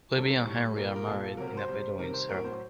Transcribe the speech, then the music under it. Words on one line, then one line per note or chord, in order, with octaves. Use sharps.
Libby and Henry are married in a Bedouin ceremony.
C3 D#3 G3 A4
A2 G3
A#2 G3 A#4
A#4
A#2 G3 A4
C3 F#3 A#4
A#4
C5
C3 G3 C5
C3 D#3 G3 A#4
C5
A2 F#3 A#4
C5